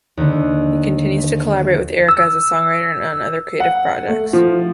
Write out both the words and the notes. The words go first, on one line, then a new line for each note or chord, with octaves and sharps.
He continues to collaborate with Erica as a songwriter and on other creative projects.
D#2 D3
E6
F#5
A3
F3